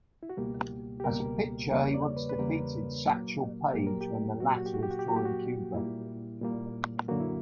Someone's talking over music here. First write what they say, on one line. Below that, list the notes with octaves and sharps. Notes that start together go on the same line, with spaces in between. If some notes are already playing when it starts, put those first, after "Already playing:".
As a pitcher, he once defeated Satchel Paige when the latter was touring Cuba.
E4
F#4
C#2 B2 G3 A#3 G4
G4
C#2 B2 G3 A#3 A#4
E2 C#3 G3 A#3 C#5
D5
B4
B4
E2 C#3 G3 A#3 A#4
A#2 F#3 A#3
A#2 F#3 A#3 G4
A#4
G4
A#2 F#3 A#3 F#4
G4
F#4
G4
F#4
G4
F#4
G4
A#2 F#3 A#3 F#4
G4
F#4
A#2 G3 A#3 E4
A#2 G3 A#3
F#2 D3 F#3 A#3 F#4
E4